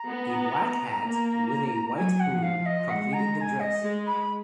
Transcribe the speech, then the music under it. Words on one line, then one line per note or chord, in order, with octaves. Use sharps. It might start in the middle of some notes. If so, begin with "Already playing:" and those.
A black hat with a white plume completed the dress.
Already playing: A#5
B3
A#3
F#3 G#5
F#5
F3
F5
F3
D#5
G#3 F#5
A#5
A#5
G#5
D#5
G#3
B5